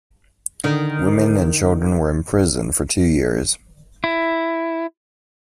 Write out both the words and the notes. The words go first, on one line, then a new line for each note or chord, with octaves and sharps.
Women and children were imprisoned for two years.
D3 D#3
E4